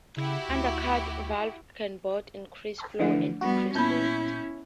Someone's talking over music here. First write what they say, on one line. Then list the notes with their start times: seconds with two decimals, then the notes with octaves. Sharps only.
Undercut valves can both increase flow and decrease weight.
0.17 C#3 E4 F#4 G4
0.48 D2
3.00 D3 E3 F3 A3 D4
3.41 G3 B3 F#4
3.75 A#2 B3 C#4 E4 B5 G6